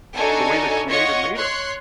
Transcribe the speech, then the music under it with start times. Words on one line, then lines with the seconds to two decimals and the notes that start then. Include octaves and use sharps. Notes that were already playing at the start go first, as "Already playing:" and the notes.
the way the creator made us,
0.16 D4 D#4 F#4 A4 C#5 G#5
0.88 F4 C#5 D#5 F#5 C#6
1.35 C#5 C6 F#6